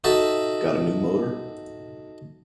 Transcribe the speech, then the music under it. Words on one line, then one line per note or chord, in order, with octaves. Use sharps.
Gotta New Motor?
D#4 F#4 A4 E5